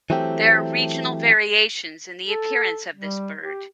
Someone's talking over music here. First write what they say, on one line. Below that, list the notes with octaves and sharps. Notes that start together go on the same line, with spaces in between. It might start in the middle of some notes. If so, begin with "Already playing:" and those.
There are regional variations in the appearance of this bird.
E3 F#3 A3 C4 G4
A4
G3
G4